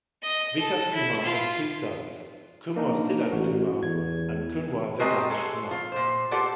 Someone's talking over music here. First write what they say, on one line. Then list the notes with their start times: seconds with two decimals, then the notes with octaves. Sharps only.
Vikas Kumar has two sons kunwar Siddhant kumar and kunwar Vedansh kumar.
0.22 D#5
0.59 A4
0.93 E4
1.24 F4
2.76 A#3 D4 D#4
3.33 A1 F#4
3.83 E2 G#6
5.00 G#3 A3 C4 G4 A#4 D#5
5.30 G#3 A3 A4
5.71 F4
5.92 A#2 C5
6.31 B3 F4 G4 A4 D5 F#5